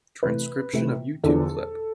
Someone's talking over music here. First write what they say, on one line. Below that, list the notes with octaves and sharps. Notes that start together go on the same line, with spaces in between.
Transcription of YouTube clip.
C3 E3 A3 B4
C3 E3 A3
E2 D3 F3 B3 D4 A4